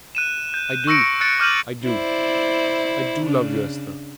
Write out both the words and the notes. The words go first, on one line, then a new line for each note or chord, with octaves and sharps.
"I do, I do, I do love you, Esther."
F#6 D#7 E7
G6
C#6 E6 A#6 C#7 D7
E6 F#6 A6 C#7 D7
D6 F6 G6 D#7 F#7
E4 C5 D5
C#3 D4